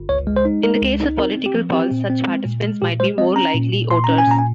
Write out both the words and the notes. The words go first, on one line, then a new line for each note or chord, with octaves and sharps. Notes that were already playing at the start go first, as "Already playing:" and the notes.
In the case of political polls, such participants might be more likely voters.
Already playing: G1
C#2 C#5
G#3
C5
D#4
G#3 A#4
C#2
D#4
C4 A#4
C4
G4
F3
C4 G4
A#2
C4
G#3
A#2
G#3
A#2 G4
G#3 C5
C4 D#5
C#4 A#5
A#2
A#2
A#2 C6
C#4 A#5
G#5
A#2 A#5
G#5